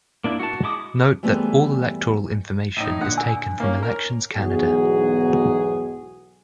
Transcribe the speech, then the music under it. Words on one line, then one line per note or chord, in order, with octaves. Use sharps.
Note that all electoral information is taken from Elections Canada.
A#3 D4 E4
F#4 A5
G#3 E4 D6 D#6
E3 G3 A3 B3 C4 G#4
A2 D#4
A#2 D3 F#5
G#5 E6
A#3 C#4
A#4
B1 E2 G#2 F#4 G#4